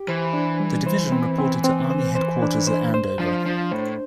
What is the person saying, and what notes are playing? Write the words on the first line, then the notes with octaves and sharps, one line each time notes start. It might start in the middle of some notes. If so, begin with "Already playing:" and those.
The division reported to Army Headquarters at Andover.
Already playing: G4
E3 C5
D4
G3
C5
C4
C4
C4
C5
C5
D4
C5
C5
F3 D4
F3 D4
A2 C5